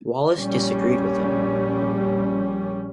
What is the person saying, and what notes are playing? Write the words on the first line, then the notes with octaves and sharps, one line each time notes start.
Wallace disagreed with him.
A#1 G3 C#4